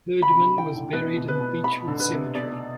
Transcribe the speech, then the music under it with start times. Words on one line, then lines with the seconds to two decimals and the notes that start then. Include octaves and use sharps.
Hurdman was buried in Beechwood Cemetery.
0.22 B5
0.31 C3
0.40 D3
0.58 E3 G5
0.75 D3
0.93 B2 B4
1.17 B2
1.28 B4
1.40 B2
1.64 B2 B5
1.88 D3
2.00 B4
2.11 C3
2.35 B2 D5